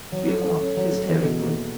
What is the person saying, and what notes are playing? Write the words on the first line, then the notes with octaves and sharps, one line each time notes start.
She laughed hysterically.
F#3
A3
A3
C#4
F#3
A3
E2
B2
A#3